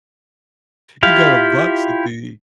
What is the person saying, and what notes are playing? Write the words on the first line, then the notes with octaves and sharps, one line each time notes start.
You got a boxy thing.
E4 F4 G4 F5